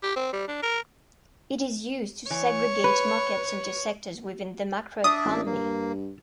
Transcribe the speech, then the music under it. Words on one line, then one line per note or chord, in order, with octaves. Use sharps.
It is used to segregate markets into sectors within the macroeconomy.
G4
C4
G3
D4
A#4
E3 C#5
B4
D4 D5 E5 D#6
A1
G2 A#3